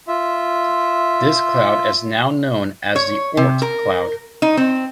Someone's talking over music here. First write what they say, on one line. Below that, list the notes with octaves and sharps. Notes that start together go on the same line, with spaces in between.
This cloud is now known as the Oort Cloud.
F4 E5
C#5
C3
A#4
D#4
C4